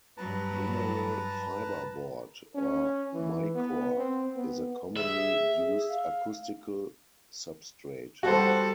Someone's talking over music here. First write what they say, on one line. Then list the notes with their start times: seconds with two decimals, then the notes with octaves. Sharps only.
Mineral fiber board, or Micore, is a commonly used acoustical substrate.
0.17 G2 F#3 B4 A5 A#5
2.55 C#4
3.13 E3
3.55 B3
3.98 C4
4.36 B3
4.97 G#4 E5
5.52 G#4
5.89 F5
8.23 G3 F#4 A4 C5